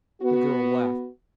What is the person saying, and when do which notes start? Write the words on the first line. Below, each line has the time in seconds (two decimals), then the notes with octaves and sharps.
The girl laughed.
0.22 B3 F#4